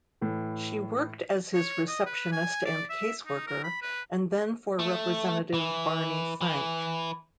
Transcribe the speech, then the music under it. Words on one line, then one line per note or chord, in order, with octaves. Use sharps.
She worked as his receptionist and caseworker, and then for Representative Barney Frank.
A2 E3
C#5
D#5
B4
G#5
D5
E5
D#4
A#4
B5
B4
A3
E3
E3